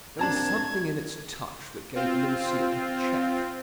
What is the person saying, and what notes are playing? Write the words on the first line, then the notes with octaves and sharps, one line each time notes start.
There was something in its touch that gave Lucie a check.
A#2 C4 D4 A5 A#5 G#6
C4 F4